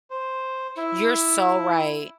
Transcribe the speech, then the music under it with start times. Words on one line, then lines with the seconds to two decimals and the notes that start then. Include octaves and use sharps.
you're so right.
0.10 C5
0.77 E4